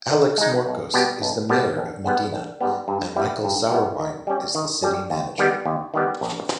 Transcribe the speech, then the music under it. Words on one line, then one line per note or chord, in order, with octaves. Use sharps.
Alex Morcos is the mayor of Medina and Michael Sauerwein is the City Manager.
D#3
G#3 D#4
B1
B2 G3 B3 G4
B1
B2 G3 B3 G4
A#1
G#2 G3 B3
A#1
G#2 G3 B3
G2
G3 B3 E4
G2
G3 B3 E4
D#3
G3 C#4
D#3
G3 C#4
D#2
D#3 G3 B3 G4
D#2
D#3 G3 B3 G4
A#1